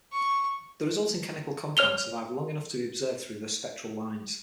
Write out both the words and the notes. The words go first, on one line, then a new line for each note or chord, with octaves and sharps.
The resulting chemical compounds survive long enough to be observed through their spectral lines.
C#6
C#5 F6 F7 G7